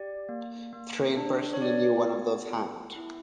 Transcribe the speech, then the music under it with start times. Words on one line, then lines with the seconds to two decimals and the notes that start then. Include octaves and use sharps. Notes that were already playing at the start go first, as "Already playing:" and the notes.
Thrane personally knew one of those hanged.
Already playing: G4 D5
0.29 A#3
0.73 A#3
1.17 D4
1.53 C#5
1.61 G4 D5
2.07 B3
2.50 B3
2.96 E4